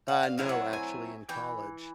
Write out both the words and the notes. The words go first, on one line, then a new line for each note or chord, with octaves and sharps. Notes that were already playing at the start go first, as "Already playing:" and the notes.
Uh, no actually, in college
F#5
F5
F#3 A3 C4 E4 F5
F#5
G#5
E3 G5